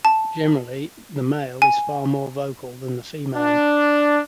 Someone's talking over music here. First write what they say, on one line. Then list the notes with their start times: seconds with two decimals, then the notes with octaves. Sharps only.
Generally, the male is far more vocal than the female.
0.05 A5
1.62 G#5
3.37 D4